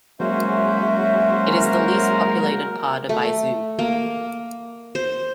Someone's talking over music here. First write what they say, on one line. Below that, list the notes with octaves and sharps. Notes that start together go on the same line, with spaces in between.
It is the least populated part of Aizu.
F#3 G#3 A#3 C#4 F#4 C5 E5
A#4
A3
A#3
C5